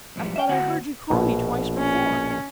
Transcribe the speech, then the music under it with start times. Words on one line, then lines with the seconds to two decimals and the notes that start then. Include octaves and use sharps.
I thought I heard you call me twice before!'
0.16 B1 G#2 F3 G3
0.36 E5 G5
0.49 D2 C4 F#4 F#5
1.10 A#1 B2
1.78 C#4